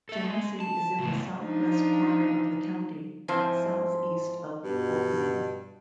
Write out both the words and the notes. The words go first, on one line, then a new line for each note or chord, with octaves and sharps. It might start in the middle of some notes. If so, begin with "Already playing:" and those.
Genesee is in the southwest corner of the county, southeast of Olean.
A4 E5
G#3
A5
C#2 A2
F3 D4 D#4
G#2 F3 C4 E4 C5
G2 B2